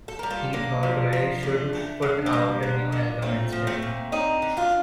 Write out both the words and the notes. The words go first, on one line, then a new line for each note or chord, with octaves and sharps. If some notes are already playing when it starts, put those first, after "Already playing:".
He thought we should put out a new album instead.
A4
G3 A#4
F4 A4
D3 A#3
F3
F3
D3 A3
A3
D3
C4
G3 A#3
D3
D3
A#2 A3 C4
F3
A3 C4
A#2
D3 C4 D#4
D3
D4 F4